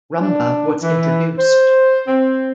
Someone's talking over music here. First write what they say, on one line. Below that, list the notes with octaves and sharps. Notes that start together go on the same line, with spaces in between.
Rumba was introduced.
D4
E3
C5
C4